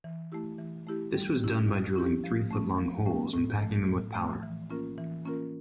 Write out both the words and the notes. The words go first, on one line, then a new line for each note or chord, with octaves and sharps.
This was done by drilling three-foot-long holes and packing them with powder.
E3
A3 E4 G4
E3
A3 E4 G4
G3
C#4 E4 G4
G3
C#4 E4 G4
F3
A3 C#4
F3
A3 C#4
A2
F3 A3
A2
F3 A3
E3
A#3 C#4 F4 A#4
E3
A#3 C#4 F4 A#4